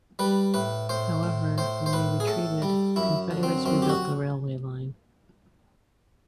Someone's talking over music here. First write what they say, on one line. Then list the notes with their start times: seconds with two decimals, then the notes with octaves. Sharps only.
However, when they retreated, Confederates rebuilt the railway line.
0.19 G3 B4
0.54 A2 B4
0.89 A2 C5
1.23 A2
1.58 A2 C5
1.86 C5
1.93 A2 B4
2.20 G#4
2.27 A2 A4
2.62 G3
2.96 F#2 E4
3.31 D3
3.43 C4
3.65 F#2 C4
3.82 G4
3.89 F#4